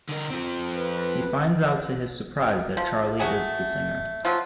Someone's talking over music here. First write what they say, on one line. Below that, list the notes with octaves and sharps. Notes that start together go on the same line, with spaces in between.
He finds out to his surprise that Charlie is the singer.
D3 A#4
F3 C4
B4
F3
A3 F#4 G#4
F3 F#3 F4